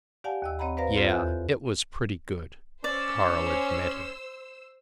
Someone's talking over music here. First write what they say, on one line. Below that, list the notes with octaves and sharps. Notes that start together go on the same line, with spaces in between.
"Yeah, it was pretty good," Carl admitted.
G4 D5 F5 F#5 G#5 A5
D#2 D#5 E6
C4 C#5 D#5 F#5 A#5 B5
B4 C5 D5 F5 A#5 A#6
C4 F4 A4 C5 C#5
E2 E5 F#6 G6
C#4 C5 D5 E6